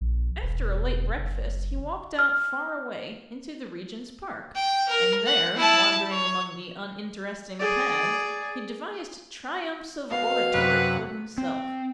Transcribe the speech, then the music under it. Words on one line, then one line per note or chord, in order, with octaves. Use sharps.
After a late breakfast he walked out far away, into the Regent's Park, and there, wandering among the uninteresting paths, he devised triumphs of oratory for himself.
A#1
E1
F#1
F6
G5
A#4
F#5
E4 A5
C#5
G#4 D5
B2 F5
F#2 C3 B4 F#5
C4